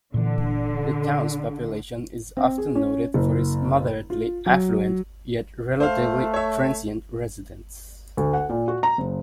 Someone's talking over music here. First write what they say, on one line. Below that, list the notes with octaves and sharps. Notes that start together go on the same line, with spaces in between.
The town's population is often noted for its moderately affluent, yet relatively transient residents.
A#2 D3 E3
C4
G#4
C#4
F#1
F4
F#3
A3 C5 F5
C#5 E5
D2
F#5
A#2
F#4
A#5
F#1